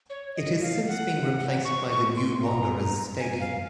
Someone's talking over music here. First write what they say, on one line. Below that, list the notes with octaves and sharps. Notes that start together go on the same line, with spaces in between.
It has since been replaced by the New Wanderers Stadium.
C#5
D#5
F5
F#5
C#6
C#6
C6
A#5
G#5
F5